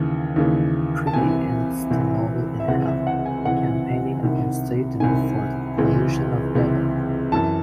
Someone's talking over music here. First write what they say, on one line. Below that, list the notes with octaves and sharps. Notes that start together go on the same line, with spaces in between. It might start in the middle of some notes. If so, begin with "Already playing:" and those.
Tricky ends the novel in Hell, campaigning against Satan for the position of Devil.
Already playing: D#2 C#3 E3
D#2 C#3 E3
A5
C2 C3 E3 G#5
C2 C3 E3
E5
C#2 C3 E3 F#5
E5
F#5
G#5
C#2 C3 E3 F#5
C2 C3 D#3
C2 C3 D#3 G#5
C#2 C3 E3
C#2 C3 E3
F#2 E3 A5